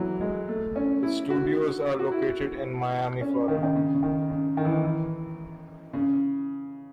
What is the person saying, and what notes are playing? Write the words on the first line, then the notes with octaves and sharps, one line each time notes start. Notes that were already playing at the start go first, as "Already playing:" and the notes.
Its studios are located in Miami, Florida.
Already playing: E3 F#3
G#3
A3
C#4
E4
F#4
F#4
E4
C#4
D#3
C#3
D#3
C#3
C#3
D#3
C#3
D#3
E3
D#3
E3
C#3